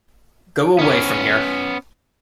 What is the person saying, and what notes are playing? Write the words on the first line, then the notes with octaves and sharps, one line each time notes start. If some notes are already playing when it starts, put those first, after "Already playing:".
Go away from here.
B3 C#4